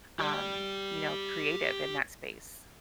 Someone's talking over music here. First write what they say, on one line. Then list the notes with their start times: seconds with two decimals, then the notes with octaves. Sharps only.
um, you know, creative in that space?
0.19 G4 D5